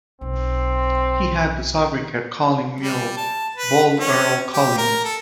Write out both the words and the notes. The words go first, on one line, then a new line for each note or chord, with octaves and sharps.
He had the sobriquet Colin Mulle, Bold Earl Colin.
B1 C4
G3
A5
B4
C#4
G4
A#4
A4